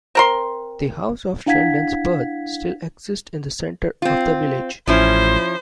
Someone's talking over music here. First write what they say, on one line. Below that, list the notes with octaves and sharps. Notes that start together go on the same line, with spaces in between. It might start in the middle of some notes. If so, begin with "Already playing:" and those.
The house of Sheldon's birth still exists in the centre of the village.
C4 A#4 C6
D4 E4 F5 F#5 G#6 B6
C4 F4
A1 F3 C#4 E4 C5